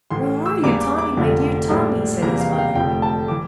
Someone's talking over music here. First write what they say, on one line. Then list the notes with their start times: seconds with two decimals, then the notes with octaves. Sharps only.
"Where are you, Tommy, my dear Tommy?" said his mother.
0.11 A1 A2 E3 C6
0.46 E6
0.63 E2 E3 G3 A#3 D4 D6
0.81 D6
0.98 D6
1.17 F1 F2 D3
1.70 A#1 A2 G3 D4
2.22 E2 C3 E3 G3 A#3 A#5
2.41 F5
2.53 G5
2.58 F5
2.75 F1 F2 D3 A3 G5
3.02 A5
3.28 E3 D6